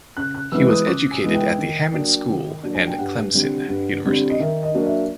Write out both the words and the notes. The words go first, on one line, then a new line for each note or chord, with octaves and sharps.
He was educated at the Hammond School and Clemson University.
C#3 F#6
F#6
E3 G#3 B3 E4 E6
D#6
C#3 D6
G#5
E3 G#3 B3 E4
G5
D#3
F#3 A#3 D4
D#3
F#3 A#3 D4
G#5
G5
G2 F#5
D3 G3 C4
G2
D3 G3 C4
D#5
D#3 E5
D#5
F#3 A#3 D4
E5